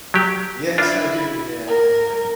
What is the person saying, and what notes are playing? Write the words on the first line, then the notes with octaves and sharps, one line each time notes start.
Yes, I do, yeah, yeah, yeah.
F#3 G4
D4 E4 F4
A#4